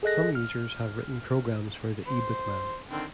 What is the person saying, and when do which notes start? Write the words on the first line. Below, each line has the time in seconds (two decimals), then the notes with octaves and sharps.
Some users have written programs for the eBookMan.
0.03 G#4 A4 D#5 F#6 A#6
0.35 F6
2.07 C5
2.91 D3 D#3 C4